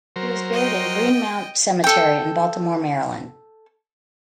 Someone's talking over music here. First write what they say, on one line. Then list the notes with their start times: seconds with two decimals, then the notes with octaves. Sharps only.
He was buried in Green Mount Cemetery in Baltimore, Maryland.
0.16 F#3 A#4 C5
0.53 D#5 G5
1.84 A4 G5